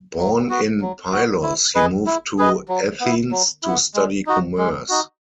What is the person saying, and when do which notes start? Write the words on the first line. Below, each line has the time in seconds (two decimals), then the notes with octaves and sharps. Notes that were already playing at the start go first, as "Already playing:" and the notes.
Born in Pylos, he moved to Athens to study commerce.
0.19 F#3
0.50 B3 F#4
0.81 F#3
1.12 B3 F#4
1.43 E4
1.75 G#4 B4 D#5
2.06 E4
2.38 G#4 B4 D#5
2.68 F#3
3.00 B3 E4
3.31 F#3
3.63 B3 E4
3.94 G#3
4.27 D#4 F#4
4.58 G#3
4.89 D#4 F#4